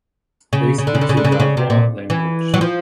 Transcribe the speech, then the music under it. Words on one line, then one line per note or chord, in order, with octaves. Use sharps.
They speak the Dargwa language.
C#3
C#3
D3
C#3
D3
C#3
D3
C#3
D3
C#3
C3
A#2
E3
F#3
F3